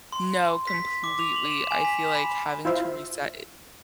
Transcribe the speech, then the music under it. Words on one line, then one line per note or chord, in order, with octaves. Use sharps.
No, completely, I feel like having to reset i
C6
B6
D6
F7
F#7
E7
G#5
B6
B5
E4 F4 C5 E5 F5